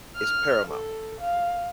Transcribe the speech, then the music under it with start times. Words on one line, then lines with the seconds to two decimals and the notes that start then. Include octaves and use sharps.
is paramount.
0.16 F6
0.67 A4
1.21 F5